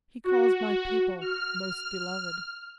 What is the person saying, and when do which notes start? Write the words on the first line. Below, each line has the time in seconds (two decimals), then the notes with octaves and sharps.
"He calls my people 'most beloved'."
0.24 F#4
1.21 F6